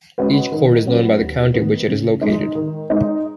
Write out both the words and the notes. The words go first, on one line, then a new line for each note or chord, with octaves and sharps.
Each court is known by the county which it is located.
G#3 C#4 F#4 B4
D#3
F#3 C#4 F#4 B4
D#2
D#3 B3
C#3
G#3 D#4
D#3
G#3 D#4